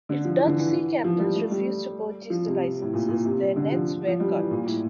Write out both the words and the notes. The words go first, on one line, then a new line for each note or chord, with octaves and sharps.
If Dutch sea captains refused to purchase the licences, their nets were cut.
D3
F3
E3
D3
E3
F3
G3
A3
G3
F3
C3
A2
A#2
A#2
C3
D3
F3
F3
G3
E3
A#2
A2